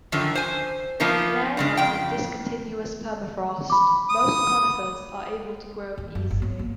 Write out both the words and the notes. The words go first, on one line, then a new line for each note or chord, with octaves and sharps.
In areas of discontinuous permafrost, most conifers are able to grow easily.
F#2 D3 D#3 F3
C5 G#5
F3 A#3 B3 D#4 A#4
G2 C#3 G#3
F2 G5
B5 D6
D#6
D#2
F#2
G1
B3
A#3